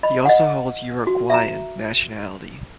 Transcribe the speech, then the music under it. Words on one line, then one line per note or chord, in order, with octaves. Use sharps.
He also holds Uruguayan nationality.
D#5 B5
D#5 F#5
F#4
E5 A#5